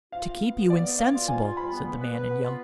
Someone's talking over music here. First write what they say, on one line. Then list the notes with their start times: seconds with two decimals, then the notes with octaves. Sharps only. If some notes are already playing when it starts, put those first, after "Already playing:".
"To keep you insensible," said the man in yellow.
0.12 F4 F5
0.27 B3
0.41 B3
0.56 B3
0.70 B3 D5
0.85 B3
0.98 B3 F5
1.14 F4
1.28 F4 G#5
1.43 F4
1.57 G3 B5
1.71 B3
1.86 B3
1.99 B4
2.15 B4
2.29 B3
2.44 F4